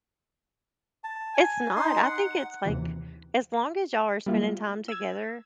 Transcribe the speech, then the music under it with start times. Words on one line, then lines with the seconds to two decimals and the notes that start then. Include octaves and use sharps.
It's not. I think it's like as long as y'all are spending time together
1.04 A5
1.34 G#5
1.76 D#4 C6
2.03 F#5
2.66 D#2 C3 E3
4.26 G3 A#3 E4 F4
4.88 E6 G#6